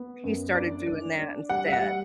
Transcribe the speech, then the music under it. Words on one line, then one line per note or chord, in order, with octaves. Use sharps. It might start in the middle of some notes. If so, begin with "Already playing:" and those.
he started doing that instead.
Already playing: B3
F#2
D4 D5
D4
D4
G3 F#5
E5
F#5
G3